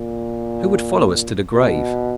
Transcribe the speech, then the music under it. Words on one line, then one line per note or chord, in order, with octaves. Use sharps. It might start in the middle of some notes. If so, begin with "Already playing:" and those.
Who would follow us to the grave?
Already playing: A#2
B2